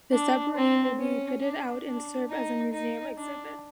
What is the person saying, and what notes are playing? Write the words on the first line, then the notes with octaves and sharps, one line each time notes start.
The submarine will be fitted out and serve as a museum exhibit.
D4
C4
C#4
D4
D4
D#4
D#4
D4